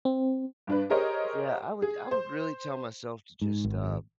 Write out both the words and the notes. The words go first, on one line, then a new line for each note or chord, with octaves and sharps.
Yeah. I would I would really tell myself to just, uh
C4
G2 D4 B4
G4 G#4 A#4 C5 C#5 D#5
G#4
C5
G#2
G#1